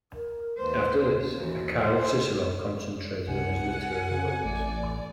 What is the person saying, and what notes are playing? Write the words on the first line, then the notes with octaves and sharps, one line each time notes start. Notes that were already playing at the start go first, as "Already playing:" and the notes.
After this, a cowed Cicero concentrated on his literary works.
A#4
D#2 B4 C5
D#2 E3 F#4
A4 C5
C2 F#5 G#5
C#3 C4
A1 A3 D5